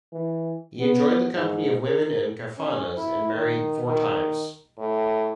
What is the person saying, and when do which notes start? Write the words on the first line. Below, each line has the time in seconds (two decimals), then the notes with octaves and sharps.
He enjoyed the company of women and "kafanas" and married four times.
0.12 E3
0.80 B3
1.34 G#2
1.86 A#4
2.58 C#4
2.97 E4
3.35 D#3
3.86 D#3
4.79 A2